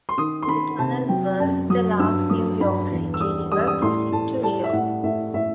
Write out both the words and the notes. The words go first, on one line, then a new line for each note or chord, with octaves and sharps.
The tunnel was the last New York City river crossing to reopen.
C6
D#3 D#6
C6
D#3 B5
C3 A5
F#3 G5
F#2 A5
F#3 D#6
G2 E6
F#3 D#6
G2 B5
E2
E6
G3 D#6
G3 D#6
E6
D#6
A2 C6
A2 A5
G3 A5
E5
A2 F#5
A2 E5
A2 E5